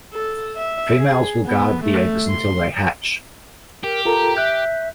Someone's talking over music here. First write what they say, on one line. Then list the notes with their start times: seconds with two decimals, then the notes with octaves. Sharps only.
Females will guard the eggs until they hatch.
0.13 A4
0.56 E5
0.97 G#4
1.46 B3
1.84 A3
2.28 C6
3.83 G4 A#4
4.05 F4 A4 A#4 A#5
4.37 E5 F#6 G6